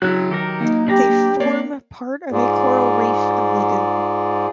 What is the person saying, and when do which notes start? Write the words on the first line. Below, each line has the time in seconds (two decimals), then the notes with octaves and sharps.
They form part of a coral reef and lagoon.
0.02 C#3 F#3 E4 F#4 C#5 F#6
0.31 D#3 G4 A4 A#4
0.61 A#3 D#4
0.88 D4 G4 B4 A#5
1.40 A#3 C4 C#5 D5
2.32 G#2 F4 G#4 D5